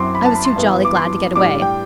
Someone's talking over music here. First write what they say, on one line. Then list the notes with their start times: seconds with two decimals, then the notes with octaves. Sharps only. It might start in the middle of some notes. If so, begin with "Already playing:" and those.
I was too jolly glad to get away.
Already playing: F#2 F#3 C4 E4 C6 D6
0.15 B5
0.25 A5
0.35 B5
0.45 C6
0.56 G2 E3 B3
0.85 D6
0.95 C6
1.35 A2 G3 D4 D6
1.62 G5